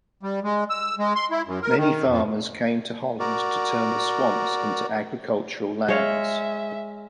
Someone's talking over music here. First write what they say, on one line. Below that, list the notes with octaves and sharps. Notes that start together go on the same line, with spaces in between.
Many farmers came to Holland to turn the swamps into agricultural lands.
G3
G#3
E6
G#3
C6
E4
F#2
A#4
D#3
F2
F#4 A#4 D5
G#3 C#5 E5 F5